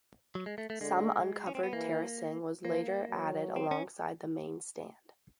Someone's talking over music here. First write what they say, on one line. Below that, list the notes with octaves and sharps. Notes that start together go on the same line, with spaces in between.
Some uncovered terracing was later added alongside the main stand.
F#3
G#3
A3
A3
D3 G#3
C#4
C4
B3
E3 A#3
F3 A#3
F#3
C4
C#4